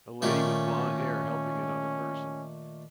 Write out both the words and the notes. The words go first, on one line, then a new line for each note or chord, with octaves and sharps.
A lady with blondhair helping another person.
A#2 D#3 A3 C#4